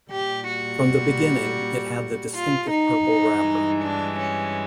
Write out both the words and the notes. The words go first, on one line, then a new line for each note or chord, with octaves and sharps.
From the beginning, it had the distinctive purple wrapper.
A#2 G3 G4
F#4
F4
D#4
G2 E3 G#3
D4
C#4